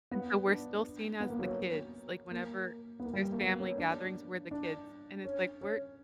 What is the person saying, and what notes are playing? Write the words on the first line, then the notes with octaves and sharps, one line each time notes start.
and so we're still seen as the kids, like, whenever there's family gatherings, we're the kids and it's like, we're,
B3
D4
B3
A#3
F#3
C#4
A#3
B3
A#3
G3
A#3
B3
C#4
D4
D4
C#4
C#4